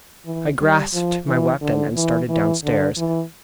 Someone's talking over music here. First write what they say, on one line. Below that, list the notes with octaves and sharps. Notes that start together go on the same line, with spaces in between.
I grasped my weapon and started downstairs.
E3
G3
F3
E3
D3
E3
E3
D3
E3